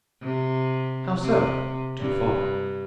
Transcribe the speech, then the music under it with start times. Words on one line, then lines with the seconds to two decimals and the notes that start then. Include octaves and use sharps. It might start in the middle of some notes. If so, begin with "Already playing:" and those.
"How so--too far?"
0.22 C3
1.22 C3
2.00 G2